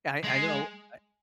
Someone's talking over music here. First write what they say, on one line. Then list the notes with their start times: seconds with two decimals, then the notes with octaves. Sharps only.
I I know, I
0.24 G#3